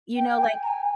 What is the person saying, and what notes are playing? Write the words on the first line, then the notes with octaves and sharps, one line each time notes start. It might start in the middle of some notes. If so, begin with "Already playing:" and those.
You know, like
G5
G#5
A#5
G#5